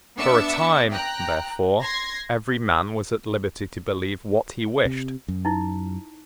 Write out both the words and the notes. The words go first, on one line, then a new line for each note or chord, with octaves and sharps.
For a time, therefore, every man was at liberty to believe what he wished.
B3 D4 E5 D6 E6 C#7
G5 A#5 F#6
C6 G#6 A#6
C3
F#2
D#4 E4